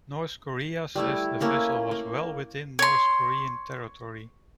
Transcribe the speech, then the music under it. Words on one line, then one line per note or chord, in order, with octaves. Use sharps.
North Korea says the vessel was well within North Korean territory.
G3 A3 E4
A3 A#3 C#4 E4
A#3
C#5 C6